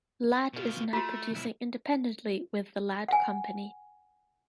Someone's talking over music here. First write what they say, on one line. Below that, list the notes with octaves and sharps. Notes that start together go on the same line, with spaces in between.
Ladd is now producing independently with The Ladd Company.
B2 F4
A3 F4 F#4
B1 E4
F#5 G#5